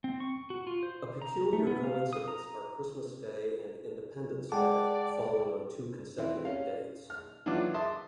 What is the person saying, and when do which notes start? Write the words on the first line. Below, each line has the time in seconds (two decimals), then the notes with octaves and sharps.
A peculiar coincidence are Christmas Day and Independence Day, falling on two consecutive dates.
0.04 C4
0.20 C#6
0.50 F#4
0.67 F4
0.83 C5
1.22 A#5
1.53 A3
1.67 B3
1.84 F5
2.13 D#6
2.28 A#5
4.52 G#3 G#4 D5 F#5 G5 A5 D6
6.18 E3 C4 E4
6.45 C#4 F5
7.10 F6
7.46 E3 F#3 D4 F4 D6
7.74 E5 A5 C6 D6 D#6